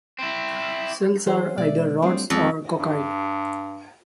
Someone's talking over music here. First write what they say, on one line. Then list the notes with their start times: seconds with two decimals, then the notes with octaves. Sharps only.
Cells are either rods or coccoid.
0.19 C4 E4
1.26 E3 F#3 G#4 C5
1.58 B2 G#3 D5 E5
2.02 G3 A3 C4 D4 D#6 C7
2.30 F2 G#3 F4 D#6
2.79 G2